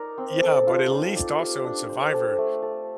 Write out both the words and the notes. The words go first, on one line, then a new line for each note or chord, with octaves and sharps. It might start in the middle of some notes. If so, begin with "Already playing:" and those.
Yeah, but at least also in survivor,
Already playing: D#4 A#4 D5
C4
A4
F4
D#4
D5
G4
D4
C5
A4
A3
A4